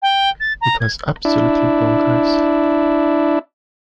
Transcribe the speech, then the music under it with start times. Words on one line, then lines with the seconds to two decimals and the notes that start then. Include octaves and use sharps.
It was absolutely bonkers.
0.02 G5
0.40 A6
0.61 A#5
0.80 G#6
1.25 D4 E4